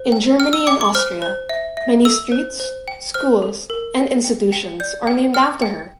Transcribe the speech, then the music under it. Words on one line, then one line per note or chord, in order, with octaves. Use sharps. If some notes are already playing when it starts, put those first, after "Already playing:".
In Germany and Austria, many streets, schools and institutions are named after her.
Already playing: C5
G5
G5 F6
E6
G5 D6
D6
C5 F6
C5
E5
E5
A4 E6
C5
C5
G5
C5 F6
A4
A#4
G5
G5
G5
D5 G6
G5
G5 F6
G5